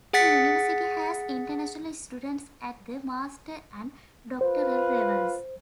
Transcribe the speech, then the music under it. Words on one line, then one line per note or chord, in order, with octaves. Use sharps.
The university has international students at the masters and doctoral levels.
G#4 F#5 A6 B6 C#7
F4 B4 C5